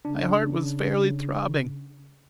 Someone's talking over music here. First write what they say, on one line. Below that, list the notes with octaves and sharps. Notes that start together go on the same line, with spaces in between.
My heart was fairly throbbing.
C#3 D4